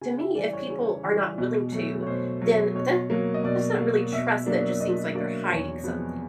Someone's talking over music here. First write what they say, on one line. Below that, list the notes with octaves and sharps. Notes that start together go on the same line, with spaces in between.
to me, if people are not willing to, then that's not really trust, that just seems like they're hiding something,
C#3 G#5
E5
E3 G3 D5
C#5
C#3
E3
G3
B2
F#3 A3
C#5
B2 C5
F#3 A3
B2 C#5
F#3 A#3
D#5
B2 D5
F#3 A#3
B2 E5
F#3 A#3 D4
B2 D#5
F#3 A#3 D4 D5
E2 C#5
C3 F3 G#3 B3